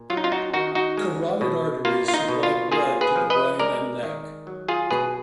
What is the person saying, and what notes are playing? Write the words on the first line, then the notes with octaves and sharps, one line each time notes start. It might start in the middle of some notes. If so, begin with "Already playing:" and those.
Carotid arteries supply blood to the brain and neck.
Already playing: A#2
F#3 F4
D#4
F4
D#4 F#4
D#3 D#4 F#4
D#4 F#4
G#3
B2
A#3 F4
F4
D#4
B2
F4
A#3 F4 G#4
G#4 B4
F3
B4 D#5
G#3 A#4 D5
D#3
F#3
F4 G#4
B2 G#4 B4